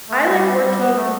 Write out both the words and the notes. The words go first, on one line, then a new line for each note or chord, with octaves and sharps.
I like working
A3
G3
G3
B3
A3